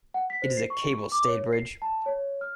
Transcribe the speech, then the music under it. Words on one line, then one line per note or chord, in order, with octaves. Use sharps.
It is a cable-stayed bridge.
F#5
B6
C5
C7
C#6
D6
C#5
C7
A5
C#5
F6